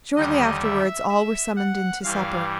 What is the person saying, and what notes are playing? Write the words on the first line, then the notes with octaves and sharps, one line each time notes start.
Shortly afterwards all were summoned in to supper.
D#2 D3 G3 D#5
E5
E5
F#5
G2 E3 G3 F5